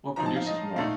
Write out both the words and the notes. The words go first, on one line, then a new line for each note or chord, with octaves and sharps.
what produces more?
F3 C4 D#4 A#5
A5
F5
D#5
A#2 A3 D#4 F5